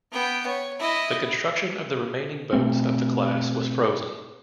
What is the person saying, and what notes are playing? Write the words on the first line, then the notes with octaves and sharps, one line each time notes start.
The construction of the remaining boats of the class was frozen.
B3 G5
C#5
E4 D#5
B2 A3 C4